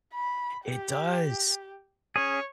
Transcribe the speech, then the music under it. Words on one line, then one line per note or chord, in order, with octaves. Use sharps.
It does.
B5
G4
C#4 G#4 C#5